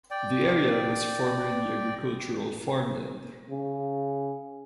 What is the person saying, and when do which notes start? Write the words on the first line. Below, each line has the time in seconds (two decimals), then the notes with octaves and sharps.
The area was formerly agricultural farmland.
0.11 D5 G5
3.51 C#3